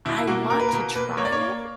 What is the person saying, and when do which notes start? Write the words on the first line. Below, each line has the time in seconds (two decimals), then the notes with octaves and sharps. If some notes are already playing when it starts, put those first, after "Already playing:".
I want to try it,
0.06 B2 E4
0.17 E4
0.27 A#3 F#4
0.50 A#3 A#4
0.60 B4
0.69 A#4
0.72 B2
0.96 A#3 B4
1.17 A#3 C#5
1.25 D5
1.32 C#5
1.40 A#3